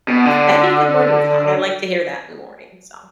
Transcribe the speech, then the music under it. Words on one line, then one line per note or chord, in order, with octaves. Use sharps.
that'd be a good morning song. I like to hear that in the morning, so,
B2
D3